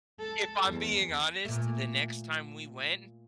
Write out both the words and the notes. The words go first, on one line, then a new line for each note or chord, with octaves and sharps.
if I'm being honest, the next time we went
A4
E2
A#2 A3